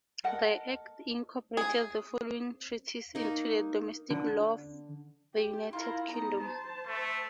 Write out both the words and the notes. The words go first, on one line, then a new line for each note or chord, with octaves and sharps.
The Act incorporated the following treaties into the domestic law of the United Kingdom.
A4 A#4 D#5 F#5
G#4
A#3 D#4
D3
G4
E4 F4 A#4
B3 D#4 A#5
C5 A5
A3